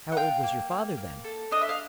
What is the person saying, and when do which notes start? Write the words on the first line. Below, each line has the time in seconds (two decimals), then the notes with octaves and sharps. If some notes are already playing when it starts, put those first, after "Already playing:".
"How old was your father then?"
0.12 F#5
0.17 F4 F5 G5
0.43 A#3
0.70 A#3
0.97 A#3
1.24 A4
1.51 D4 D#5
1.61 E5
1.69 F5